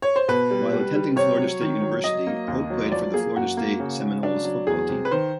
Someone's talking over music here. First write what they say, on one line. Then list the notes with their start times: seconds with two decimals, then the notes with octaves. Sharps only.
While attending Florida State University, Hope played for the Florida State Seminoles football team.
0.02 C#5
0.16 C5
0.28 B2 B4
0.51 G3
0.73 G3
0.95 G3
1.16 C3 C#5
1.38 F#3
1.61 D#3
1.82 F#3
2.04 F#3 D#5
2.27 A#3
2.48 D#2
2.70 F#3
2.92 F3 D5
3.14 A#3 G#4
3.35 F#2 F#4
3.57 A#3
3.80 C#3
4.01 C#3
4.23 F#3 D4
4.45 F#3
4.67 E2 G#4
4.89 C3
5.05 B4
5.11 D#3 C5